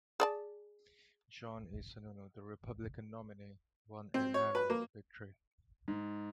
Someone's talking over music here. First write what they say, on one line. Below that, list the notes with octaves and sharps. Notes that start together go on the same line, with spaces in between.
John E. Sununu, the Republican nominee, won a narrow victory.
G#4 D5 A5
C4
C#5
B4
A#3
G#2